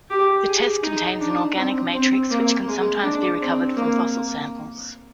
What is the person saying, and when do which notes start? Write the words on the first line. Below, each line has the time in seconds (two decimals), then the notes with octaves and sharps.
The test contains an organic matrix, which can sometimes be recovered from fossil samples.
0.10 G4
0.46 G#4
0.83 D#4
1.21 D4
1.57 C4
1.94 C4
2.31 A#3
2.68 G#3
3.04 D4
3.41 C4
3.77 A#3